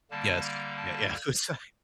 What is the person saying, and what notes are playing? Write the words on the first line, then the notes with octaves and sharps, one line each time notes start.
Yes. Yeah, yeah. I'm sorry
D3 G3 A#3 A5
A#5
A5